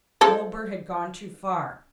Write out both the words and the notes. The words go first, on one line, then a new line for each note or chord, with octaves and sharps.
Milburgh had gone too far.
F3 G#3 A4